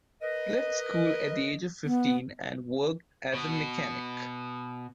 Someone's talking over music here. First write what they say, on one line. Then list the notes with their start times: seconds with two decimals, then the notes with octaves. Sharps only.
He left school at the age of fifteen and worked as a mechanic.
0.22 A#4 B4 D#5
1.85 B3
3.34 B2 B3